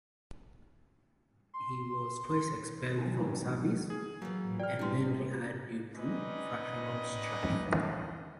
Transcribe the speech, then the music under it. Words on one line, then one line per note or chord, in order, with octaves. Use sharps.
He was twice expelled from service and then re-hired due to factional strife.
C6
G#4
E3 F#3 A#3
D5 G5 F6
G3 B3 D4 E4 C6
C4 C#4 D#4 B4 D5 D#5